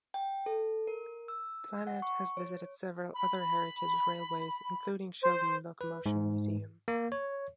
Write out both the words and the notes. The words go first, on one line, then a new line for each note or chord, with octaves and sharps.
"Planet" has visited several other Heritage railways including Shildon Locomotion Museum.
G5
A4
A#4
E6
F#5
C#6
C#5
B5
C5
B4
G#2
A#3
C#5